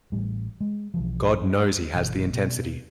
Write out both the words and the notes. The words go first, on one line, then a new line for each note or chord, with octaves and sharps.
God knows he has the intensity.
A1 A2 G3
G#3
B1 E3 F3
G2
G1 B2 E3
B2